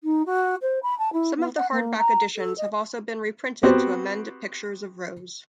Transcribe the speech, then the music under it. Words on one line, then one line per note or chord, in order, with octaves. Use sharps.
Some of the hardback editions have also been reprinted to amend pictures of Rose.
D#4
F#4
C5
B5
A5
E4
B3
F#5
A#3
A#5
A4
D#5
B3 C4 F#4 G4 C5